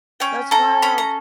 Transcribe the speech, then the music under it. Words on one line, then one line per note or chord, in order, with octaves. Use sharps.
That's wild.
C#4 G5
A4 A#5
C#4 B5
A#5